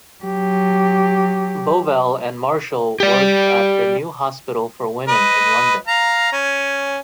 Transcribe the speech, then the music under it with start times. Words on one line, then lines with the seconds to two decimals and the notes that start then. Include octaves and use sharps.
Bovell and Marshall worked at the New Hospital for Women in London.
0.24 F#3 G4
3.00 G4 D5
5.08 B4 D#5
5.87 F5 A#5
6.32 C#4